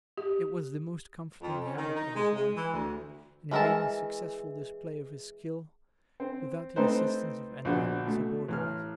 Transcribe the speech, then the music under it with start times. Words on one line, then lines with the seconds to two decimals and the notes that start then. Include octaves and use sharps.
It was the most comforting habit of his life, in a mainly successful display of his skill without the assistance of any subordinate.
0.18 G4
1.43 F2
1.64 C#4
1.78 D#3
1.96 D#4
2.15 G#3
2.34 G#3
2.56 E3
2.73 D2
3.51 E3 G#3 A#4 E5 A5
6.20 C4
6.76 A3 C4 D#4 B4 C5
7.65 A#1 B2 D3
8.06 B2 A3
8.48 A1 F6